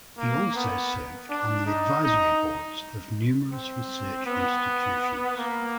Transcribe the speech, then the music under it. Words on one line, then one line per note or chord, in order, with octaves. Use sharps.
He also served on the advisory boards of numerous research institutions.
A#3
B3
D4
D#4
D#4
C4
B3
A#3